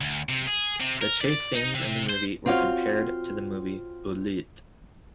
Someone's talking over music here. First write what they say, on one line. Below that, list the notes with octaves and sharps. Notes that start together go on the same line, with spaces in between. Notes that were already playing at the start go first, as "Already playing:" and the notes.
The chase scenes in the movie were compared to the movie "Bullitt".
D2
C3
G#4
C3
A#4
D5
D#4
C3
C5
C4 F4 F#4 C#5 F5